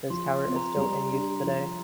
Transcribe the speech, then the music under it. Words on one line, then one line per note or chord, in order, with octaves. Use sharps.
This tower is still in use today.
F3 C6
C4 F4 C6
A#5
G3 A#5
D4 G4
F3